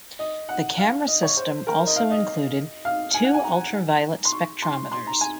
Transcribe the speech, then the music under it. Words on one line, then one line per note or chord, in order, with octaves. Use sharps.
The camera system also included two ultraviolet spectrometers.
D#5
F#5
F5
D#5
C#5
C5
A#4
D#5
F5
D#5
F5
G#5
F#5
G#5
A#5
C6
C#6
C6
C6
A#5
G#5